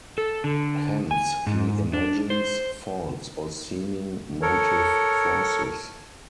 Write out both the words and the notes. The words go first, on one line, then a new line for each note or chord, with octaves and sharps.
Hence he imagines false or seeming motive forces.
A4
D3
G#5
G#2
D4
C5
A4 A#4 C#5